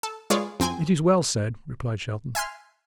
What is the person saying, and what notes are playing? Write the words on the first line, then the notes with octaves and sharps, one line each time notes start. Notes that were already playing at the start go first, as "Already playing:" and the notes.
"It is well said," replied Shelton.
A4
G#3 F4 G#4 B4 C#5 D5
F2 C4 G5 G#5
E5 G#5 C6 F6